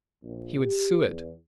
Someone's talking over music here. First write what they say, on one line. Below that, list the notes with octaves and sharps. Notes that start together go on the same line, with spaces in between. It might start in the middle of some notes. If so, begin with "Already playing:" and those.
He would sue it.
A#1
G4
E2